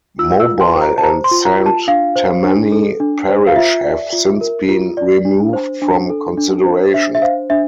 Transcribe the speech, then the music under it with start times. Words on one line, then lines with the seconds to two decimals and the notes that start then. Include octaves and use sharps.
Mobile and Saint Tammany Parish have since been removed from consideration.
0.19 F4 E6
0.40 E6
0.47 F4
0.61 C6
0.75 C5
0.82 A#5
0.98 A5
1.03 C5 A#5
1.24 C6
1.31 F4
1.45 A#5
1.60 F4
1.66 A5
1.88 D4 F5
2.16 C5
2.44 D4
2.72 A4
3.00 D4
3.29 C5
3.47 F5
3.56 F4 E5
3.84 D5
4.12 F4
4.41 A#4
4.69 F4
4.97 D5
5.25 D4
5.53 C5
5.82 D4
6.10 A4
6.38 D4
6.66 C5
6.94 D4 E5
7.15 E5
7.22 C5 F5
7.50 D4 E5